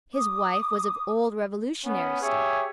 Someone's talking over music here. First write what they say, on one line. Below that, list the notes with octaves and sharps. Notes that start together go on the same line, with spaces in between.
His wife was of old Revolutionary stock.
D6 D#6
B3 C#4
G4 G#4 C#5 E5